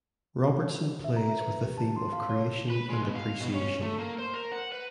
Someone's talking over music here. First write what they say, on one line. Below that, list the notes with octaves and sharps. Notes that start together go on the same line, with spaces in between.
Robertson plays with the theme of creation and appreciation.
E5
A#5
E5
B4
G4
A5
C6
F5
C#5
B4
G#3
B2
F5
B2
C#4
A3
A#3
C5
A#4
F#5
B4